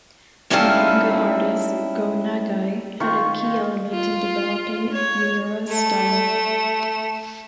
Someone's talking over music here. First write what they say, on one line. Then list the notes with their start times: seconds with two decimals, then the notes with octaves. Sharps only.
The manga artist Go Nagai had a key element in developing Miura's style.
0.50 G3 C#4 D#4 E4 A4 F5
3.00 D#3 F4 C#6
3.92 F4
4.92 C#5
5.68 A3 E7